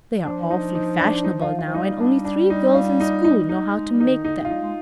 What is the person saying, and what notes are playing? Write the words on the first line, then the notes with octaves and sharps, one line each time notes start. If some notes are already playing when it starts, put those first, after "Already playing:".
They are awfully fashionable now and only three girls in school know how to make them.
F3 D4
D#4
D#4
D4
D#4
F4
F4
F3
G3 D#4
D4
D4
D#4
F4
D#4
D#4
D#4
G#3
G3
F3 D#4
D#3
D3 D#4
C3
F4
G3 D#4
G#3